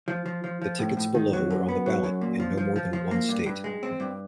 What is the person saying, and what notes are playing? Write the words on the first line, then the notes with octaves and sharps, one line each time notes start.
The tickets below were on the ballot in no more than one state.
F3
F3
F3
F3
A2
A2
D#3
F#3
F#2
B3
F#3
F#2
A#2
F3
F3
F3
F3
A#3
G2
G2
G#3
C4
G2